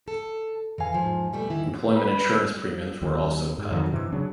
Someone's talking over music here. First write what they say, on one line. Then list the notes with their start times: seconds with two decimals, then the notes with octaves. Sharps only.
Employment Insurance premiums were also cut.
0.08 A4
0.78 E2 E3 F5 G#5
0.93 G#2 F3
1.33 B2 G3 A3
1.50 D#3 E3 E4
1.96 B4
3.02 D#2
3.58 G#2
3.71 F2 D#3 F#3
3.91 G2 C3 E3
4.12 C#3 F#3 D4